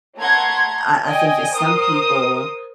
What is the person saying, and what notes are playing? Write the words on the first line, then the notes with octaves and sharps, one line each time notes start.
I I think that some people
A3 F#5 A#5 C6 G#6
D5 D#5 G5 G#5
A#4 C5 D#6